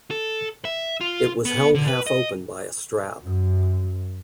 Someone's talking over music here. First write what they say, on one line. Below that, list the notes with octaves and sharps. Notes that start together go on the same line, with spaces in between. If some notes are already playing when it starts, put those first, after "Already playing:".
It was held half open by a strap.
A4
E5
F4
B3
D3
B4
D#5
F#2